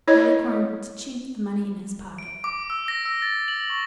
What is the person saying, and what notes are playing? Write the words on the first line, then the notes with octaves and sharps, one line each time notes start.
Malicorne chinked the money in his pocket.
E4 C#5 D#5
D7
D6
E6
A#6
E6
A6
F#7
C#6